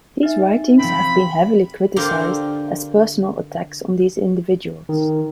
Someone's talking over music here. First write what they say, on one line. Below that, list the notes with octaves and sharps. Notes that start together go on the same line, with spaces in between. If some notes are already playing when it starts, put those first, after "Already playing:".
These writings have been heavily criticized as personal attacks on these individuals.
D#4 E5
F3 C4 B5
D3 A#3 F4 G4 C5
D#3